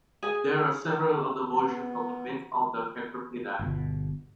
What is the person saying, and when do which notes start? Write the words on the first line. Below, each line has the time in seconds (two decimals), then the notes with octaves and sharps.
There are several other versions of the myth of the Kekropidai.
0.23 G#4 G#5
1.49 B3
3.59 G1 B2